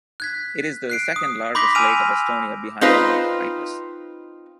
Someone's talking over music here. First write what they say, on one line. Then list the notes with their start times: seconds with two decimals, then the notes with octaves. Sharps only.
It is the second largest lake of Estonia behind Lake Peipus.
0.20 F#6 G#6 B6
0.90 F#6 C7 D7
1.16 D#6
1.55 B5 C6 D6 G6 A#6 B6
1.75 G#5 E6 F6 D7 D#7 F7
2.81 C4 D#4 F4 B4 C5